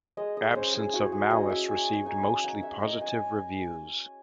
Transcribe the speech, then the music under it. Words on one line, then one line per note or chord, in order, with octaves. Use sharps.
"Absence of Malice" received mostly positive reviews.
G#3 D#5
D#5
C#4 C5
G#4
E4 F#4
G#4
C#4 D#5
E5
D#4 G#5
D#4 G#5
D#4 F#5
E5
D#4 D#5
G#5